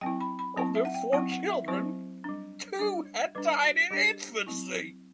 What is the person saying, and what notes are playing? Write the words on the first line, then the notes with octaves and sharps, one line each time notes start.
Of their four children, two had died in infancy.
F#3 C4 E4 G5
B5
B5
F#3 C4 E4 A5
E5
F#5
G5
F#3 C4 E4 F#5
F#5
E5
F#3 C4 E4 C5
G3 D4
G3 D4
G3 D4 B4
F#4
G3 D4 G4
F#3 C4 E4